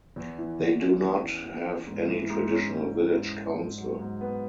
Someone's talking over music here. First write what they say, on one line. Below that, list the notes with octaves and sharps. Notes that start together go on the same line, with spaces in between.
They do not have any traditional village council.
E2
E3
E2
C#4
E2
E3
E2
C#4
G#2
E3
G#2
C#4
G#2
E3
G#2
C#4
G#2
F#3
G#2
B3